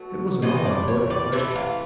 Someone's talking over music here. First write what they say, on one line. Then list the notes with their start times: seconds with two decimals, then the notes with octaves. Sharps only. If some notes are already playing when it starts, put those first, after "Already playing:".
It was an all-important question.
Already playing: B2 F#3 A3
0.42 C3 E3 A3 D#5
0.65 D5
0.88 C#5
1.10 D5
1.32 C3 E3 A3 E5
1.56 F5